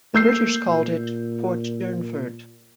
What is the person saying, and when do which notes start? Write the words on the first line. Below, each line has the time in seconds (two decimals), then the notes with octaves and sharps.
The British called it "Port Durnford".
0.15 A3 A#3 E6 G6 C7
0.68 A#2